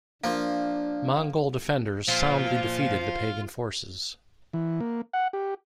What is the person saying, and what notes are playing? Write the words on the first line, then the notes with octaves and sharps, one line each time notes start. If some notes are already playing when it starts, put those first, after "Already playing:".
Mongol defenders soundly defeated the Pagan forces.
F3 A#3 D4
A#2 F3 F4
E3
A#3
F#5
G4